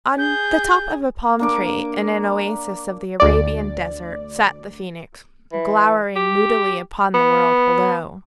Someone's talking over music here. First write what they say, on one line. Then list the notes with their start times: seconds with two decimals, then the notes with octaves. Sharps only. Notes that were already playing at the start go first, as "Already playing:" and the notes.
On the top of a palm tree, in an oasis of the Arabian desert, sat the Phoenix, glowering moodily upon the world below.
0.18 G#4 G6
1.39 A#3 D4 D6
3.20 D2 D5
5.52 E3
6.16 G4
7.14 B3